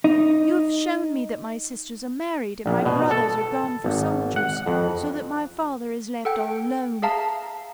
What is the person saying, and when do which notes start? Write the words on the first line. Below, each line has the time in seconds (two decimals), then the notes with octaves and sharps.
You have shown me that my sisters are married, and my brothers are gone for soldiers, so that my father is left all alone.
0.04 D#4
2.66 A#1
2.85 B2
3.11 A4
3.84 G#1
4.36 F#5
4.66 F2
6.25 A4 F#5 G5
7.02 G#4 E5 F5 A5 A#5